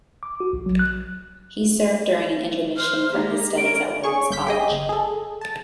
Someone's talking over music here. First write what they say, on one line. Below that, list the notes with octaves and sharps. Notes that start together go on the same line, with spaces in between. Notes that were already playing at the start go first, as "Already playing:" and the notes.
He served during an intermission from his studies at Williams College.
D6
F#4
A#1
F#3
F#6
C5 F6
G#3 A#3 G4 A#5
C#4 A#4 D7
G#4 C#5 C#6
G1 G6 B6
G4 G#4 D#5
G1
G#4 A4
A5